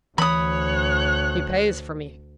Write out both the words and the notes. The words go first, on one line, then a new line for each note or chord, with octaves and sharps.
"He pays for me."
D2 E3 C#5 B5 D#6 F#6